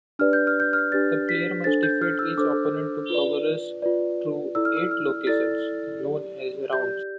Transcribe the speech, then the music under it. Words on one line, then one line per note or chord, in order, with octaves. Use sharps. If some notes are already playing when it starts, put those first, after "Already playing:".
The player must defeat each opponent to progress through eight locations, known as rounds.
D4 G4 B4 D5 F6
G6
F6
G6
F6
D4 G4 B4 D5 A6
B6
D4 A4 C5 A6
G6
F6
E6
D4 A4 C5 D6
F4 B4 D5
F4 B4 D5
E4 A4 D5 E6
F6
E6
F6
E4 A4 D5 A6
G4 D5
G4 D5 G6